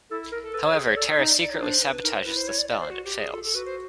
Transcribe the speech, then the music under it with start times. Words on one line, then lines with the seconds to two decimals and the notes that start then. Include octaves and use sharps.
However, Tara secretly sabotages the spell and it fails.
0.10 E4 A4
0.32 A#4
0.43 A4
0.53 A4 B4
0.64 C#5
0.75 G#4
0.86 C#5
0.96 A4 D5
1.07 D#5
1.18 D#4 D#5
1.29 D5
1.40 D5
1.50 D#4 C#5
1.61 D4 C5
1.82 B4
2.04 D#4 A#4
2.15 C5
2.26 E4 B4
2.37 C5
2.48 C#5
2.58 D5
2.69 D5
2.80 C5
2.90 F#4
3.05 G4
3.19 G#4
3.33 F4 A4
3.44 A4
3.55 F#4 B4
3.66 C5